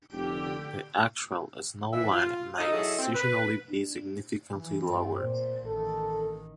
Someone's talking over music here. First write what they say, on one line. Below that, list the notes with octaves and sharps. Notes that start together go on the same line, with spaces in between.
The actual snow line may seasonally be significantly lower.
F1 D3 G4 G5
E3 E5
F4
D#4 F4 A4 D#5
F#3 E4 G#4 A4 D#5
C4
B4
E3
G2 C4
A#2 C5
A1 D#3 A4